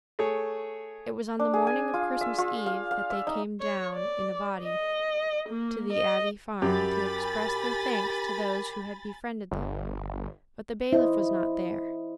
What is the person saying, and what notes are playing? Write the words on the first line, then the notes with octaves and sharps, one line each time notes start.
It was on the morning of Christmas Eve that they came down in a body to the Abbey Farm to express their thanks to those who had befriended them; but the bailiff was not there.
A3 G#4 C#5
D4
G#4
G#5
F4
E5
F4
F5
F5
E5
D#4
C#5
D5
D#5
A#3
D#5
F#2 G4 A#4 G#5 B5 A6
G1
E4 C5 D#5